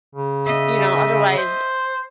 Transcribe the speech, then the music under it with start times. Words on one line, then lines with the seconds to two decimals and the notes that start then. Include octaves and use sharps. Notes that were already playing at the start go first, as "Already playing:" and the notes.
you know, otherwise
0.15 C#3
0.46 D#5 E5
1.38 C5